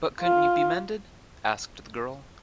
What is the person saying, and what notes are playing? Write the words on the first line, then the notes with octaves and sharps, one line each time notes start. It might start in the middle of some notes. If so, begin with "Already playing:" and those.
But couldn't you be mended? asked the girl.
F4